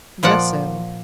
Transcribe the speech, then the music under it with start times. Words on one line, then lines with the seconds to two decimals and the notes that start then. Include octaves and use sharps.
"Just so."
0.23 A#2 F3 D5 F#5